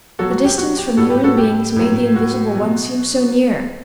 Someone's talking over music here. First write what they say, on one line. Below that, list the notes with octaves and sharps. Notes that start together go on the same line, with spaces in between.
The distance from human beings made the Invisible One seem so near!
B2 F#3 F#4 A4
F#4
G4
F#4
G4
A2 G3 F#4 A4
G4 B4
F#4 A4
G4
A2 F#3
F#4
B2 F#3